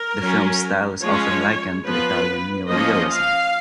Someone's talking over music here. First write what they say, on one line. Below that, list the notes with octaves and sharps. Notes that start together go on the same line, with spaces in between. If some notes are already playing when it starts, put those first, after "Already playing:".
The film's style is often likened to Italian neorealism.
Already playing: A#4
F#3 C#4
F3 G#3 C#4 C#5
F3 B3 B4
F3 A#3 C#4 D#5
F5